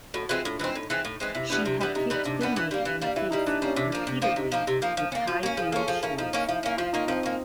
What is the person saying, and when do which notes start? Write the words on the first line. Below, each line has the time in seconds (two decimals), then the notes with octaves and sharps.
She had kicked Finley in the face repeatedly with high heeled shoes.
0.14 A2 F#4
0.29 E3 G#3 C4 F4
0.45 A2 D4
0.59 E3 G#3 C4 D#4
0.75 A2
0.90 E3 G#3 C4
1.05 A2
1.20 E3 G#3 C4
1.35 C3 E4
1.50 E3 G3 B3 D4
1.65 C3
1.80 E3 G3 B3
1.95 C3 D#4
2.10 E3 G3 B3
2.25 C3 D4
2.41 E3 G3 B3
2.56 E3
2.71 G3 A#3
2.85 E3
3.01 G3 A#3
3.16 E3 E4
3.31 G3 A#3 D#4
3.47 E3 D4
3.62 G3 A#3 C#4
3.76 C3 D4
3.92 F3 A#3
4.07 C3
4.22 F3 A#3
4.36 C3 D#4
4.52 F3 A#3
4.67 C3
4.82 F3 A#3
4.97 F3
5.12 C#4
5.15 A#3
5.28 F3 F#4
5.43 A#3 C#4
5.57 F3 G#4
5.72 A#3 C#4 A4
5.87 F3 G#4
6.03 A#3 C#4 E4
6.17 F3 D#4
6.33 A#3 C#4
6.49 F3 E4
6.63 A#3 C#4
6.78 F3 F4
6.93 A#3 C#4 D#4
7.08 F3 C4
7.23 A#3 C#4